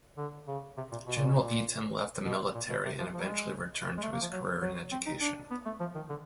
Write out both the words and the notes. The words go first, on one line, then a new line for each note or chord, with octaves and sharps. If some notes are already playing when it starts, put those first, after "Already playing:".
General Eaton left the military and eventually returned to his career in education.
D3
C#3
C3
A#2
B2
A#2
B2
A#2
B2
A#2
B2
C3
F3
F3
G3
G#3
G#3
A3
A#3
F3
F#3
F#3
C4
D#4
D4
B3
A3
F3
D#3
D3